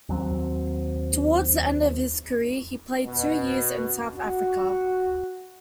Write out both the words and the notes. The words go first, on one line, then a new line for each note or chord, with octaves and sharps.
Towards the end of his career, he played two years in South Africa.
D#2 F#3 C4
B2
F#4